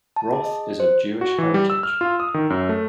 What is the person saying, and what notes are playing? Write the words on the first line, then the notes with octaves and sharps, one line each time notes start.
Roth is of Jewish heritage.
A5
G#4
D#5
C5
F#4
E3
G3
E6
F6
F4
D#6
D#3
F#2
A3